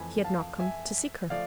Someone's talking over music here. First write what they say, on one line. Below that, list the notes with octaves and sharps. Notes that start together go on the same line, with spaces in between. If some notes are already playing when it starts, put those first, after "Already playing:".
He had not come to seek her.
Already playing: F2 E3 A3 G#5 B5
F5 A5
E5 G#5
F3 A3 D5 F5